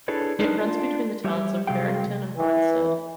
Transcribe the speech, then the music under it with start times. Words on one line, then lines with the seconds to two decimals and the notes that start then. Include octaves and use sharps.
It runs between the towns of Barrington and Barnstead.
0.08 D4 E4 G#4 A4 B4 C#5
0.39 G#3 D4 D#4 A#4 B4
0.59 D4 F4
1.24 G3 G4 C#5 E5
1.67 C3 F#3 G3 G#4 F5 G5
2.36 E3